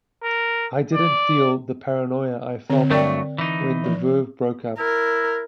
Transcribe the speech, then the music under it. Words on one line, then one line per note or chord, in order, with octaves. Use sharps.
I didn't feel the paranoia I felt when The Verve broke up.
A#4
D5
D3 C4 C#5
G2 F#3 A3 A#4 D5 G5
E3 D#4
F3
E4 A#4